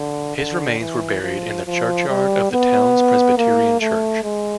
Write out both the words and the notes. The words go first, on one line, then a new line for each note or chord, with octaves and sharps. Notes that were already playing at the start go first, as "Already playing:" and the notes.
His remains were buried in the churchyard of the town's Presbyterian church.
Already playing: D3
D3
E3
F3
F3
G3
B3
A#3
A3
G#3